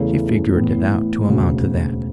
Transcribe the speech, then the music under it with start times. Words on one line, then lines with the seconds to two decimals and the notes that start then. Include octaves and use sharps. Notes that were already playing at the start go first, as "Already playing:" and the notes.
She figured it out to amount to that.
Already playing: E2 C#3 E3 A3 C#4
0.55 A2 E3 B3
1.29 E1 D2 C#3